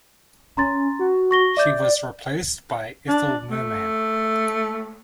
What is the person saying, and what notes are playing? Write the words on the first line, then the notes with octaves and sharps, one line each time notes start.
She was replaced by Ethel Merman.
C#4 A#5 C6 A6
F#4
C#6 A#6 G7
D5 E5 D6 G6
D4
A3